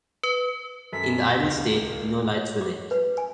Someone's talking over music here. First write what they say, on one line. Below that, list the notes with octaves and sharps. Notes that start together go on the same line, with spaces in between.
In the idle state, no lights were lit.
B4
F#2 A4 B6
D#1 C#2 F5
C#5
D6
B4
G#5